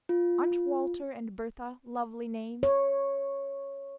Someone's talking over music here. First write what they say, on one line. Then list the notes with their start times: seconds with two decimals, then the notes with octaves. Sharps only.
Aren't Walter and Bertha lovely names?
0.09 F4
2.63 C#5